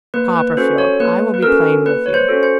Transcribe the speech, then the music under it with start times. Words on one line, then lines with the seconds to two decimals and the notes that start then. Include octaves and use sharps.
Copperfield, I will be plain with you.
0.14 A#3 B4
0.36 B4
0.57 C#4 F#4 A4 C5
0.78 C#5
1.00 A#3 B4
1.34 B4
1.43 C#4 F#4 A4 A#4
1.85 A#3 B4
2.06 C#5
2.14 C5
2.28 C#4 F#4 A4
2.43 C5